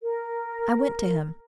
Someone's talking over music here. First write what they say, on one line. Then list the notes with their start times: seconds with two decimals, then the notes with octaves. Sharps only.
I went to him.
0.03 A#4